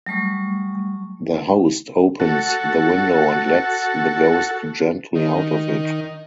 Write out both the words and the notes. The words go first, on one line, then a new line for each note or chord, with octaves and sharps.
The host opens the window and lets the ghost gently out of it.
F#3 G3 A3 C#6
F#4 A4
D#3